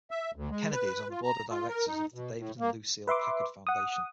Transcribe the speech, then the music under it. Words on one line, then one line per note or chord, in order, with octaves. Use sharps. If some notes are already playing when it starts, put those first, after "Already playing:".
Kennedy is on the board of directors of the David and Lucile Packard Foundation.
E5
D2
G#3
B4
F4
A#5
F4
A#4
D#4
B2
A2
A#3
B4 E5 C6 D6
F#5 D#6